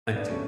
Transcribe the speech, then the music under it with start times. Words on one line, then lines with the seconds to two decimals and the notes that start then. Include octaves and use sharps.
I see.
0.16 B3 D4
0.30 D3 A3 C#4